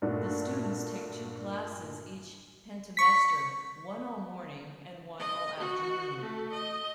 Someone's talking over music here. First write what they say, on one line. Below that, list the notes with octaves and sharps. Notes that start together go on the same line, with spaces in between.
The students take two classes each pentamester, one all morning and one all afternoon.
G2 A#2 A3 D4 F#4
C#6 B6
D#5
F#4
A3
D#5